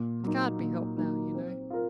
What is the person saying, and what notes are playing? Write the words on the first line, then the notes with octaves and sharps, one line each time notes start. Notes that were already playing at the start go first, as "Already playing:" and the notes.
It can't be helped now, you know.
Already playing: A#2
F#3 A#3 D#4
A#2
F#3 A#3 D#4
C4
F4 A#4